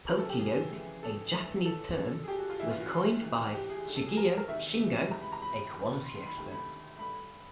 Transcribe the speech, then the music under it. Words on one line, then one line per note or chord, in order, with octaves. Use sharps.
"Poka-yoke", a Japanese term, was coined by Shigeo Shingo, a quality expert.
F#2 C#3 E3 A#4
A4
G4
G#4
F2 C#3 E3
A4
G2 E3
A4
G2 D3
G#4
G4
F#4
F4
D2 C#3 E3 E4
F4
F#4
F#4
D2 C3 E3
G4
G#4
D#2 D3
A4
G#4
A#4
A#4
E2 C3 D#3 E5
C#2 C3 E3 A#5
B5
A#5
B5
D#2 D#3
C6
C6
B5
D2 C3 D#3
B5
G2 D3 B5